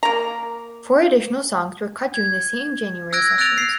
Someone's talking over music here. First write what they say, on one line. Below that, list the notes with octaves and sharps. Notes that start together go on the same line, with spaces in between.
Four additional songs were cut during the same January sessions.
A#3 A#5
G#6
E6 F#6 G#6 A#6 D7
E6 F#6 A6 D7 F7
C7